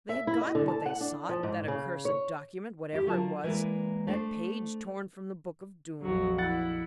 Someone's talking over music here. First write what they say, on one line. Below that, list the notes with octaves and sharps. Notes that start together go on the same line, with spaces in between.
They had got what they sought, that accursed document, whatever it was, that page torn from the Book of Doom.
E5
E4
D#5
D3
A5
F#5
D4
F3
G#2
C#3
C#5
E4 G4
D3 F#3 F4 A#4 A5
E3 G#3 A#3 E4 B4 D5
A3 D4 C5
A#1 F2 F#3 F#4
E4 F#5 A6